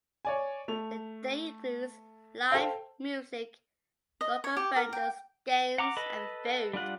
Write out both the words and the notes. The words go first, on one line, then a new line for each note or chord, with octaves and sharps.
The day includes live music, local vendors, games, and food.
C#5 D5 G#5
A3 F7
A4 C5 F5 G5
D#5
C#5
G4
A#4
G5
F#5 A#5 D6
A4 B4 D#5 B5
G3 D4 F4 F#5